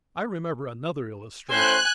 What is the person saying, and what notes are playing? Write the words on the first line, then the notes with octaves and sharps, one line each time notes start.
I remember another illustration.
A2 C#4 C5 G#5 F#6